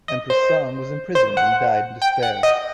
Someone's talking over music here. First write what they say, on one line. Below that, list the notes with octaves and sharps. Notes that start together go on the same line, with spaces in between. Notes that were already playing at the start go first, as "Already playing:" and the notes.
Empress Song was imprisoned and died in despair.
D#5
C5
C5
F#5
G5
F#5
D#5